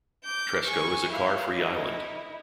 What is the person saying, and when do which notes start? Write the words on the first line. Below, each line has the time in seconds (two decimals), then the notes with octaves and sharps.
Tresco is a car-free island.
0.24 D6 G6
0.64 G#5 C#6
1.10 E4 F5
1.56 D#4 E4